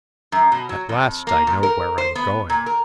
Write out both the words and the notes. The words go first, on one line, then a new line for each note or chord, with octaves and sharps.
At last I know where I'm going.
F#2
B2
F#3
F2
A#3
A#2
A#4
C5
B3
A#2
A#4